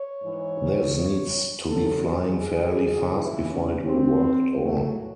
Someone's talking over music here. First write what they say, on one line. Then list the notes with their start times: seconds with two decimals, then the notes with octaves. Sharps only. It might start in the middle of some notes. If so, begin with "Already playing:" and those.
This needs to be flying fairly fast before it will work at all.
Already playing: C#5
0.22 G#2 E3
1.68 D#2 C#3 F#3 A4
2.04 G#4
2.41 G#4
3.14 D#2 C#3 E3 E4
3.50 C#4
3.88 C4
4.60 A2 F#3 A3